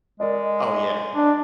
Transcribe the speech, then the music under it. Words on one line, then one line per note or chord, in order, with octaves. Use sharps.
Oh, yeah.
G#3 A#4 D5 D#5
D4